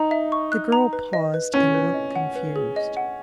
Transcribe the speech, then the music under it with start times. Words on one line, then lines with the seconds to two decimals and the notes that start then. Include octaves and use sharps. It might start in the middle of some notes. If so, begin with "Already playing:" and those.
The girl paused, and looked confused.
Already playing: D#4 A#5
0.11 E5
0.32 C#6
0.52 F#6
0.72 A#5
0.93 B4
1.13 D#5
1.34 B4
1.54 C#4 G#5
1.74 B4
1.94 D#5
2.15 F#5
2.35 B4
2.56 G#4
2.76 D#5
2.97 F#5